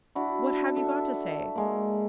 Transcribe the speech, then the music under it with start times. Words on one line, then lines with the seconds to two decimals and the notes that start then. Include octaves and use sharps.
What have you got to say?
0.15 D4 E4 F#4
0.77 A4 E5
1.56 G#3 A#3